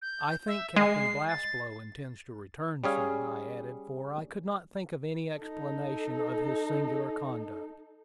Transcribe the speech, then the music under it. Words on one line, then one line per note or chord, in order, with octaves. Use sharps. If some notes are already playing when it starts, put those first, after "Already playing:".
"I think Captain Blastblow intends to return soon," I added, for I could not think of any explanation of his singular conduct.
G6
E5
G#3 C7
A6
G3 C#4 G#4 F5
D#4 A4